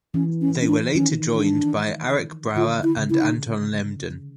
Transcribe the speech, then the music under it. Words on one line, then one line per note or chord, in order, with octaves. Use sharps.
They were later joined by Arik Brauer and Anton Lehmden.
E3 C#4
C#4
C#4
D4
D#3 C#4
D4
D3 F4
E4
C#3
E4
D#4